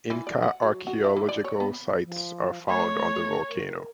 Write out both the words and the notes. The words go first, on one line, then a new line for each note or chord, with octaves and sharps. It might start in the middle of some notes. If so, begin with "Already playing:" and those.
Inca archeological sites are found on the volcano.
E3
D5
F#5
F#3
F#4
E4
E3
D5
C#5
B3
F3
A3 C#5
A#4